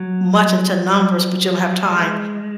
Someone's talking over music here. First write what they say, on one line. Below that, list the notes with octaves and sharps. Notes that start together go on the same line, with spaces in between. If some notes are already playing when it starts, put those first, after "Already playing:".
much into numbers but you don't have time
Already playing: F#3
G#3